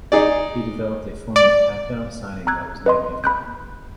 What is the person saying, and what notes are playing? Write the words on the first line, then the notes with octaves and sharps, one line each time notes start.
He developed a form of tactile signing that was named after him.
D#4 G#4 D5
D5
A#5 E6 F#6 G#6
B4 D#5 C6
B5 F#6 G6